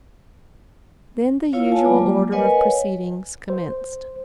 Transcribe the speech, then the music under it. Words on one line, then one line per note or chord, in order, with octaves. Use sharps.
Then the usual order of proceedings commenced.
E4 F4 C#5 F5
F4 G#5 A5
F#3 G#3 A#3 D5 D6
A#4 B4 C#5 D#5 F#5 G#5
C5